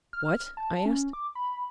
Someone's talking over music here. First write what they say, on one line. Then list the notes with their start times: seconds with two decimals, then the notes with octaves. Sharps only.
"What?" I asked.
0.13 F6
0.57 A5
0.86 C#4
1.13 D6
1.35 B5